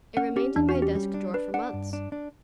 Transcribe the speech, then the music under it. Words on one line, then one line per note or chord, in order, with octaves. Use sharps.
It remained in my desk-drawer for months.
C#4 F#5
C#4 G4
E2 D4
F#4
C#4
G4
G3
D4
D4 B4
D4 F#5
G2
D4
D4